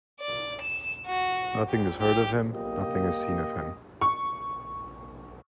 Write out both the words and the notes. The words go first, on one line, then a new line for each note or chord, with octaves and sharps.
Nothing is heard of him, nothing is seen of him.
D5
E7
F#4
G4
G4
A#3 G4 D#5
C#6